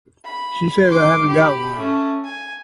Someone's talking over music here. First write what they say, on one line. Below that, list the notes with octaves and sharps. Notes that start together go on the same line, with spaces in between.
She says I haven't got one.
B5
C6 D6
G4 B5
A3 C#4
G#5